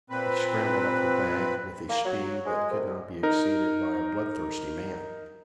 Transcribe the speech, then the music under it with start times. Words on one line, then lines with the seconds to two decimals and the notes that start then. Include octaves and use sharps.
He scrambled up the bank with a speed that could not be exceeded by a bloodthirsty man.
0.10 A#2 C4 B4
1.89 A#3
2.05 F#3
2.45 G#3
2.70 C2
3.23 D#4 A#4